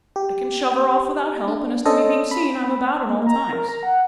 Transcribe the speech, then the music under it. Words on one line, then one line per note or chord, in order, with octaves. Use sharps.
I can shove her off without help; and as to me being seen, I'm about at all times.'
G4
D4
C#4 D4 A4 C5 D#5
B5
A#3
A#5
A#4
A#5
F#5